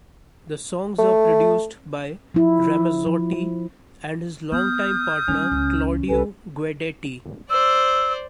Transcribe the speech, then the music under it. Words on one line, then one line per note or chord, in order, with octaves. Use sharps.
The songs are produced by Ramazzotti and his longtime partner Claudio Guidetti.
A3
F3 E4
F3
B3 D#6 F6 G6
D#3 G3 C#4
C#2
C2 A4 B4 G#5
C5 D5 E6